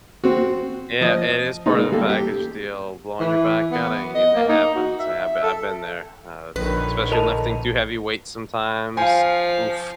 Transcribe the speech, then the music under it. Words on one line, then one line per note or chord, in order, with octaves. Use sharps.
Yeah. It is part of the package deal, blowing your back at it, and it happens. I have b I've been there, uh, especially lifting too heavy weights sometimes, oof,
C4 F#4
F3 D#5
C#3 G#3 B3 D#4
G3 A#3 A4
G4
E3
B3
D#5
A#3
D#4
F#4
E5
A4
A#1 D3 D#3 B4 C#5
A#4 D#5 A5
F3 F5 G#5